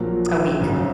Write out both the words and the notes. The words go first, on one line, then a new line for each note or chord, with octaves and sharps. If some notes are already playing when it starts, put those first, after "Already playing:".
A week.
Already playing: A#1 A#2 F#3 A#3
G#1 F#2 C#3